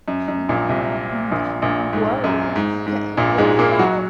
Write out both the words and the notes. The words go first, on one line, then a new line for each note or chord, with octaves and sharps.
Mm, mm, woah, 'kay, what about
F#2
F#2
A#1 A#2
C2 C3
A#1 A#2
A#1 A#2
G#2
F#2
G#2
G#2
A#1 A#2
G#2 G#3
A#2 A#3
F#3 F#4